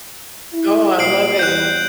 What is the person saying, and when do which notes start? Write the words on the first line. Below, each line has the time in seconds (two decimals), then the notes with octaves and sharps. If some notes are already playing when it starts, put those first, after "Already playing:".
Oh, I love it.
0.54 E4
0.99 A#2 G3 C7 D7 F#7
1.39 E2 G3 F#6 G6